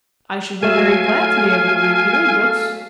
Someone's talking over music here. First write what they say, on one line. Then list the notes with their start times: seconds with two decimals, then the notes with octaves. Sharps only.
'I should be very glad to be able to read real books.
0.63 F#3 A3 A4 E5 F5 G#5